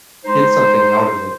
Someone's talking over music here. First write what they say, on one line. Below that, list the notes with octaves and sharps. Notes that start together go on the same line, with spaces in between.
get something out of it,
G#3 D#4 C5